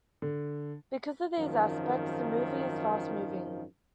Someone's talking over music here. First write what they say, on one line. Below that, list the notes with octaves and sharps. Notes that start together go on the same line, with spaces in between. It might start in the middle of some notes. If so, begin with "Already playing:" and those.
Because of these aspects, the movie is fast-moving.
D3
G#1 F#2 D#3 F3